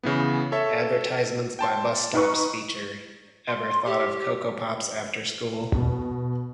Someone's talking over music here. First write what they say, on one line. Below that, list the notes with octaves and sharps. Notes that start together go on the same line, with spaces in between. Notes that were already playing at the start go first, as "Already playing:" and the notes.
Advertisements by bus stops feature, Ever thought of Coco Pops after school?
C#3 E3 B3
A4 C#5 E5
G5 A5 C6
D#4 B4 C#6
C6
G4
B2